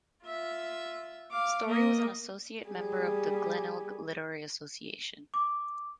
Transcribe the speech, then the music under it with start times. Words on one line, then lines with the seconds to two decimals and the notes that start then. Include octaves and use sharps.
Storrie was an associate member of the Glenelg Literary Association.
0.24 F4 E5
1.31 F5 D6
1.66 A#3 D#5
2.68 G3 G#4
5.34 D6